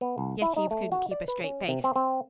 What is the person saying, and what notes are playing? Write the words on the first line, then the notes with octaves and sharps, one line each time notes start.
Yetive couldn't keep a straight face.
B3
C2
E4
D#4
A3
F#4
D5
B4
C#4
C3
C4
C4